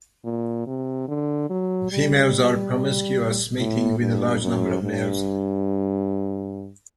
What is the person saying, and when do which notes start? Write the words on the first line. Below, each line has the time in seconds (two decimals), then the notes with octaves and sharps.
Females are promiscuous, mating with a large number of males.
0.25 A#2
0.67 C3
1.08 D3
1.50 F#3
1.92 G3
3.58 A2
4.00 G2
4.41 F#2
4.83 G2